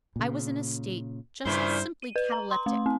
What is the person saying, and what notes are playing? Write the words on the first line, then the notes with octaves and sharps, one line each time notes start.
I was in a state just simply cataleptic.
A#2 C#3
G2 A#2 C#3 E3 E4 C5
D#7
B4
A#5
C6
A3
C4